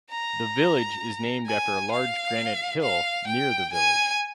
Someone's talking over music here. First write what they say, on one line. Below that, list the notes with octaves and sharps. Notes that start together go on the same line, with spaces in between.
The village is named after a large granite hill near the village.
A#5
G#5
F5
F5
G5
G#5